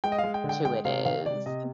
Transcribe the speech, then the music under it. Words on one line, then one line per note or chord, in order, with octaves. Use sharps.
to it is
G#3 G5
D#5
F5
G#3
G5
D3
G5
G#3 G5
C3 F5
D#3 F5
C3 D5
C3 D#5